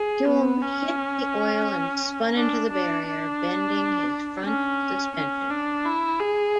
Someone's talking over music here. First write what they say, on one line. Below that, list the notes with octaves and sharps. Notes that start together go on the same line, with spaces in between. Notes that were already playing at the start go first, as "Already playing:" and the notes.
Hulme hit the oil and spun into the barrier, bending his front suspension.
Already playing: G#4
B3
C#4
D4
D4
D4
C#4
C#4
D4
E4
G#4